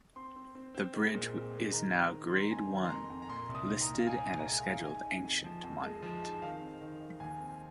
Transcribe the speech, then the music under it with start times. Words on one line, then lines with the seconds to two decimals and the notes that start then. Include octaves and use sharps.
The bridge is now Grade One listed and a Scheduled Ancient Monument.
0.16 C4 C6
0.36 C4
0.55 C4
0.75 C4
0.94 G#3
1.14 A#2
1.33 C4
1.53 G#3
1.72 D#3 A#5
1.92 C4
2.12 D#3
2.30 D#3 C6
2.40 A#5
2.51 F2 G#5
2.70 D#3
2.85 C6
2.90 F2 A#5
3.10 F2
3.22 A#5
3.29 A#2 C6
3.49 C2
3.55 D#6
3.69 D#4
3.81 A#5
3.88 A#2
3.99 F5
4.07 D#4 G#5
4.27 D#4
4.37 A#5
4.47 G#3 G#5
4.65 D#4 F5
4.85 D#4 G#5
5.05 D#4
5.24 F2
5.44 F3
5.64 F2
5.83 G#3
6.02 F3
6.23 D#4
6.42 D#3 F5
6.62 C4
6.81 D#3
7.01 D#3
7.20 D#2 G#5
7.40 C4